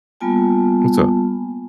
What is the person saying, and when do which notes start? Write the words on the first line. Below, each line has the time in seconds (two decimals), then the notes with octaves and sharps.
What's up?
0.20 G3 A#3 B3 F4 G#5 A5